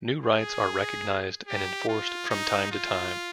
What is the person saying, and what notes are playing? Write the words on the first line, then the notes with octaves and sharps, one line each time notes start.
New rights are recognized and enforced from time to time.
G#4
G4
F4
D#4
F4